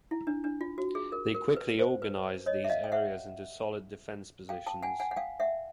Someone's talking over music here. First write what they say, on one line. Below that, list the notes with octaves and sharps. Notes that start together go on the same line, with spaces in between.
They quickly organized these areas into solid defense positions.
E4
D4
D4
F4
F#4
G#4
A#4
A#4
B4
C5
B4
C#5 D#5
E5
D#5 F5
G5
E5 F#5
F5 G5
G5 A5
F#5 G#5
F#5 G#5
F#5
F5 G5
E5 F#5